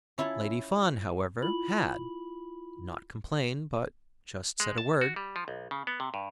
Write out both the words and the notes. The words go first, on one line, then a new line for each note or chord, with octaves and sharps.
Lady Fawn, however, had--not complained, but just said a word.
C#4 E4 F4 C#5 A5
E4 F4 B5 F#7
G#3
A5
F#4
G3
F3
B1
C#3
B3
C3
G2